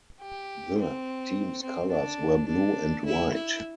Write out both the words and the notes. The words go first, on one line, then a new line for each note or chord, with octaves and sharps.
The team's colors were blue and white.
G4
C4
C4
D4
D4
E4
E4